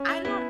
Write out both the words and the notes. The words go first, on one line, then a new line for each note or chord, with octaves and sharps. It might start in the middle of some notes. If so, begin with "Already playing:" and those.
I'm not
Already playing: C#4
E4
B3 E4